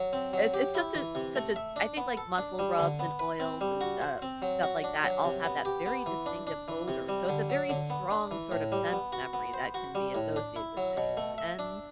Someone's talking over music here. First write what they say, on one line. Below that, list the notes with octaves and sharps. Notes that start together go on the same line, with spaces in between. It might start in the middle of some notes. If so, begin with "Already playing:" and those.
it's it's just a such a I think like muscle rubs and oils and, uh, stuff like that all have that very distinctive odor. So it's a very strong sort of sense memory that can be associated with things, and
Already playing: F#3
C4
F#3
G4
E4
E3
C3
A3
E5
D4
B3
A4
D4
G3
D3
B3
B4
C4
G3
F#4
C5
C4
F#3
F#4
D4
F#3
C3
B3
G4
B3
E3
D4
D4
E3
C3
G3
D3
F#3
D3
B3
D4
E3
A2
G3
B3
F#4
B3
C5
F#4
G3
A2
D4
E4
F#3
B2
A3
E5
D4